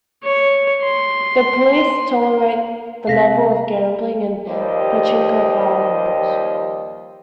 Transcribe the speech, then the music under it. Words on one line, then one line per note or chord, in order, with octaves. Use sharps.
The police tolerate the level of gambling in pachinko parlors.
C#5
C6
C3 G#3 A#3 F5 A#6 B6
D#2 F3 G3 G4 C5 D#5